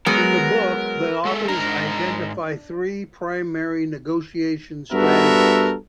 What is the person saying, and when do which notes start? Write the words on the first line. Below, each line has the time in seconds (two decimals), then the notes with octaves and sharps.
In the book, the authors identify three primary negotiation strategies.
0.06 F#3 G#3 B3 A#4
1.25 G#3 A4
1.48 G#2 D4 A#4 A#5
4.92 G2 B3 F#4 A4 A#4 E5